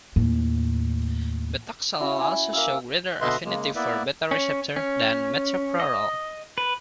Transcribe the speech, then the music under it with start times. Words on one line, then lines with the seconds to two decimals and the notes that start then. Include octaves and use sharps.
Betaxolol also shows greater affininty for beta receptors than metoprolol.
0.16 D#2 A2
1.99 C#4 E4 F#4
2.21 G#5
2.53 A#3 F5 E6
3.21 B2 D3 B4 D#5 E5 C6
3.45 C#3 G#3 A#3
3.75 A#3 B3 E4 B4 D5 E5
4.31 C#4
4.76 C#4
5.80 D#5
6.58 B4